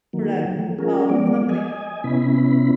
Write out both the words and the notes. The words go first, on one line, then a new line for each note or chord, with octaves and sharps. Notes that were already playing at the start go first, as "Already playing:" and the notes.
for that, um, company.
D#3 F#3 A#3
F3 A3
C#4 F4 G#4 A#4
F3 G#3 B3 D5
D#5 G#5
C3 B3 C#4 E4 B5